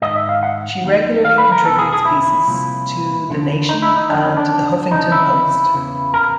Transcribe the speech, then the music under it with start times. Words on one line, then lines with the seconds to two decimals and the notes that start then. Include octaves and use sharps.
She regularly contributes pieces to "The Nation" and "The Huffington Post".
0.02 G#2 D#3 D#5
0.16 E5
0.29 F5
0.43 F#5
0.83 D#2 D#3
1.25 F5
1.38 B4
1.52 A#4
1.65 E2 B2 A4
1.78 G#4
1.92 G#4
2.05 E4
2.47 C2 A#2 F3
3.28 D#2 D3 F3
3.69 D#4
3.82 E4
3.97 D#4
4.09 F2 D3 F3 D4
4.24 C#4
4.37 D4
4.91 F2 C#3 E3 D#4
5.12 E4
5.73 E2 C#3 E3
6.14 A#4